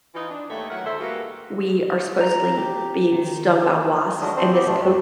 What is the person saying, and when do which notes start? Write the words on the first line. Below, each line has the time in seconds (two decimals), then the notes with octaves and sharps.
we are supposedly being stung by wasps, and this poker
0.15 E3 D#4 F4
0.29 D4
0.50 D#2 A3 C#5
0.70 D#3 F#3 E4 A#4 F#5
0.85 D2 G#2 A4 C5 E5
0.99 G3 G#3 A#3 F4 F#4 B4
2.21 A#5
2.58 G4
3.12 D#3
4.21 F#3 G#3 A3 D4 D#5
4.36 C4 D4 C5
4.52 B3 C4 G4
4.66 A2 C3 A3 D4
4.81 F#2 G3